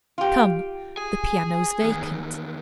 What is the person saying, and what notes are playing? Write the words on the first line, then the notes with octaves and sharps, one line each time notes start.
Come! the piano's vacant.'
F4 G4
G#4 G#5
E2 D#3